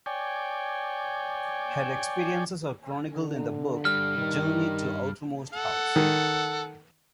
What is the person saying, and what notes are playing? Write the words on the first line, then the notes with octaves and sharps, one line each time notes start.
Her experiences are chronicled in the book "Journey to Outermost House".
C#5 D5 G5 G#5
D3
G2 G3 F6
D#3
A4 F#5
D#3